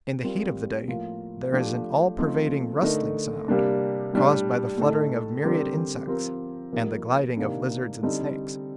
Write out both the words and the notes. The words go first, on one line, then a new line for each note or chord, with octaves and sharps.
In the heat of the day there is an all-pervading rustling sound, caused by the fluttering of myriad insects and the gliding of lizards and snakes.
G3 C4 F4 A#4
A2 F3 A#3 F4
F3 A3 D4 G4
F3 A3 C4 D#4
D3 A3 D#4 A#4
C3 G3 A#3 D4
A2 G3 D4
A2 A3 D#4 A4
D3 G3 C4 G4 A#4
F3 C4 G4 A#4
F3 A#3 D#4 G4 A#4
C3 D#3 A#3 D4
D3 G3 C4 D#4 A4